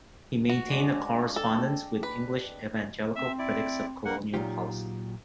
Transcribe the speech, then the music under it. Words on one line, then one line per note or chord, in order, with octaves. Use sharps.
He maintained a correspondence with English evangelical critics of colonial policy.
F#4
G#3 D4 D#5
A4 G5
B4
C4 E5
E4 D5
A#3 F#5
A#2 D3 F#3 D#4 F4 G4